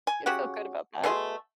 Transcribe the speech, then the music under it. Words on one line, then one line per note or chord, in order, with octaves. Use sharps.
You feel good about that?
G#5
C#3 F#4 G4 F#5
B2 A3 G#4 C6